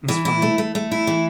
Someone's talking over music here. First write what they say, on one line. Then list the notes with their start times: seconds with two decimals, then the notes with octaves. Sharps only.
It's funny.
0.08 E3
0.25 E4
0.42 A3
0.58 A3
0.75 A3
0.91 E4
1.07 E3